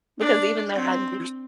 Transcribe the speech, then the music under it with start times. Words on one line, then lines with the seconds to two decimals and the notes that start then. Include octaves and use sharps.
because even though I used
0.20 D4
0.75 C4